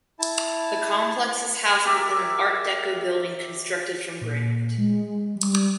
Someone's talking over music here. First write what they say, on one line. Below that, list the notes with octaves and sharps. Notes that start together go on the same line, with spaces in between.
The complex is housed within an art deco building constructed from granite.
E4 A5
G4 A#4 D5 E5
A#2
G#3
G3